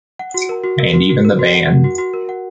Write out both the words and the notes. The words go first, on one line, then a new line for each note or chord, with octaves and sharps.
And even the ban.
F#5
F#4
A#4
F#4
A#4
F#4
F#4
A#4
F#4
F#5
F#5
F#4
F#4
A#4
F#5